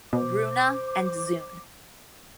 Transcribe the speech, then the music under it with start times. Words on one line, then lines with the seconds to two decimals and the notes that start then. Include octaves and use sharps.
Bruna and Zoon.
0.13 B2 C5 D6